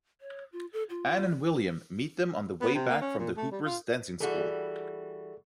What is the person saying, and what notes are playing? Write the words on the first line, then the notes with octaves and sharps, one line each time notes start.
Anne and William meet them on the way back from the Hoopers' dancing school.
C#5
F4
A4
F4
B3
C3
A#3
C#4
A#2
A3
G3
F4
E3 G3 F#4 G#4 A4